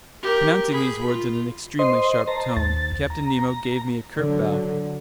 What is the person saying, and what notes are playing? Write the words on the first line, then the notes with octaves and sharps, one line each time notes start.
Pronouncing these words in an extremely sharp tone, Captain Nemo gave me a curt bow.
G4 A#4
G#4 B5
F4
C5 D#5 C6
C5 A5 A#5
D#2 A6
A#5
D3 F#3